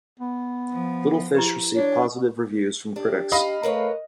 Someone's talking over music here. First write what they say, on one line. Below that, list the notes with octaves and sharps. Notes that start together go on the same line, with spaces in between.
"Little Fish" received positive reviews from critics.
B3
F3
E4 G4 B4
D4 C#5
D4 G4
D#5 F5 B5
A3 A#4 B4 C#5